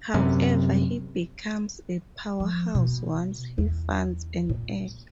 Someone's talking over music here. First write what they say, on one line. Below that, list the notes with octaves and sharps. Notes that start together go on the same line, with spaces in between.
However, he becomes a powerhouse once he finds an egg.
F#2 C3
F3
B2
E2
A#2